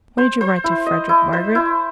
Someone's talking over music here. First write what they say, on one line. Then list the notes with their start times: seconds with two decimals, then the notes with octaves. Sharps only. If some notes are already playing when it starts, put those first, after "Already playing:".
'When did you write to Frederick, Margaret?
0.18 C5
0.41 C5
0.64 E4
0.86 D#5
1.09 E4
1.33 C5
1.55 E4